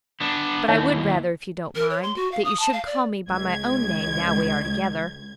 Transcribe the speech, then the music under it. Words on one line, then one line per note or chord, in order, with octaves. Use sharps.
But I would rather, if you don't mind, that you should call me by my own name now we are together.
B3 D4
D#2 E3 D#4 C#5 E5
A#4
C#5
C6
F#4
F5
D#6
A5
F5
D5
C#2 G#6